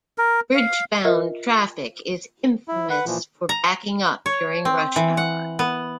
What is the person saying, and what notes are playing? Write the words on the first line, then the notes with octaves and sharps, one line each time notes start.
Bridge-bound traffic is infamous for backing up during rush hour.
A#4
F5
F4 A#4 D#5 E5
E4
B4 F#5
A#2 E3 F3
A#5
C#5
C4
E3
F#5
B3